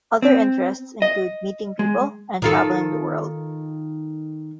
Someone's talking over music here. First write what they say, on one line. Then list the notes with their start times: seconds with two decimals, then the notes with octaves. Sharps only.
Other interests include meeting people, and travelling the world.
0.22 C4
1.02 D#5
1.79 G#3
2.42 D#3 F4 A4